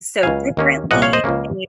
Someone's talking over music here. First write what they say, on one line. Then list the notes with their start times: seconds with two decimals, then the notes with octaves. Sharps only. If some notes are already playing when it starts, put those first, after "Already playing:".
so differently," and you
0.23 C#2 C#3 F#3 F5 G#5
0.57 D#2 D#3 A#3 C#4
0.91 C2 A#2 F3 D#5 F#5
1.02 C#5 F5
1.13 C5 D#5
1.24 C#2 C#3 F3 A#3 C#4